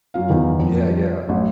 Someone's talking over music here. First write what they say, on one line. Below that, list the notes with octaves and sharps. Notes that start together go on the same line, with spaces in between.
Yeah, yeah.
F#2 F4 F5
E2 D#3 E3
F2
A1 F#2